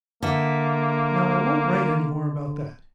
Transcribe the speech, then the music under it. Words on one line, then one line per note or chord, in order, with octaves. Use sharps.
Now I won't write any more about that.
D3 A#3 E5